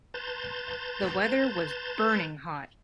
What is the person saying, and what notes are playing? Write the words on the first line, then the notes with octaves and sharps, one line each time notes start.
The weather was burning hot.
B4 A5 A#5 C6 G6 A6